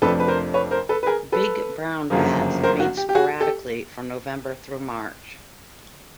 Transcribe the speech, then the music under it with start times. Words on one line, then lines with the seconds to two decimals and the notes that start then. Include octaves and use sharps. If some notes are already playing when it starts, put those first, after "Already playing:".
Big brown bats mate sporadically from November through March.
0.02 F2 C3 F3 A3 D4 A4 B4
0.20 B4
0.28 A#4 C5
0.54 B4 C#5
0.71 A#4 C5
0.89 A4 B4
1.03 B4
1.06 G#4 A#4
1.32 A4 B4
2.10 G1 F#2 C#3 F3 A#3
2.64 A#4 C5
2.80 F#4
2.97 G4
3.09 G4
3.15 F#4 G#4
3.41 G4 A4